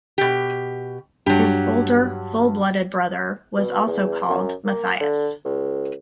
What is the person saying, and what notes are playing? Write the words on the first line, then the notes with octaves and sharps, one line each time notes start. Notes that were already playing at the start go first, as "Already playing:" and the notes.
His older full-blooded brother was also called Matthias.
B2 G4
G2 F#3 G4
B2
E2
F#2
A#3
D3
C#2